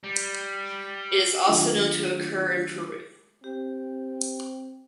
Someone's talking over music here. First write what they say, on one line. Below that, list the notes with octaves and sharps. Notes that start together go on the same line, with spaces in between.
It is also known to occur in Peru.
G3
D#3 F#3 A3 D4 F4 G4
C4 G4